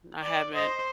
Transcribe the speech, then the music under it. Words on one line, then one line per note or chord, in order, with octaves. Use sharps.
I haven't.
D5
C5 D#5